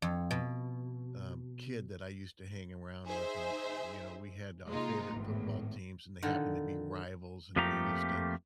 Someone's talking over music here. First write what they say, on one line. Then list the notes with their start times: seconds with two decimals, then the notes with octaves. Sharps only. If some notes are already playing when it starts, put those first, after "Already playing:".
um, kid that I used to hang around with and, you know, we had our favorite football teams and they happened to be rivals, and we used to
0.02 F2
0.31 B2
3.06 D#4 G#4 C5 E5
4.68 C3 G#3 A#3 D#4 F4
5.14 G#1 E2 A2
6.23 A#2 D3 D#3
7.56 F2 F3 A3 A#3 G4 A#5